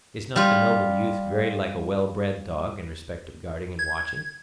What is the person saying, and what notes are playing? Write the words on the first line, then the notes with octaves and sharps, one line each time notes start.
Is not the noble youth very like a well-bred dog in respect of guarding and watching?
G3 F4
G#6